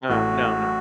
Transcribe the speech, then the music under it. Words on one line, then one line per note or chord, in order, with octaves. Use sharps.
Uh, no, no.
A1 A2 A3 F#4